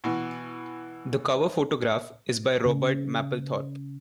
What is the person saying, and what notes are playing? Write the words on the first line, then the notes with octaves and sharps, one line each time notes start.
The cover photograph is by Robert Mapplethorpe.
B2 E3
C#3